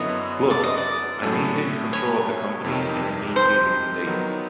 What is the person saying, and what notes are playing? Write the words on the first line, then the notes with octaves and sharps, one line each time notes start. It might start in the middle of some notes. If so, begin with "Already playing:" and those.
Look, I maintained control of the company and I maintain it today.
Already playing: F#2 D3 F#3 B3 E4 C#5 D#5
D5
D#5
D5
A2 F#3 A3 C#4
C#5
F2 C3 D#3
C5
D#3 F#3 B3